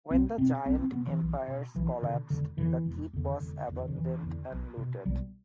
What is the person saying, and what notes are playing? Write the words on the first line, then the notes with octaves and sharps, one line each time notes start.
When the Giant Empires collapsed, the Keep was abandoned and looted.
B1 C4
B2 C4
B1 C4
C4
B2 B3
E3
B1
B2
B1 E3
B2 D3
E1 D3
E2 D3 E3
E1
E2 D3
E1 D3
E2 D3
D3
E1 E3
E2 D3
B1
B2
B1 G3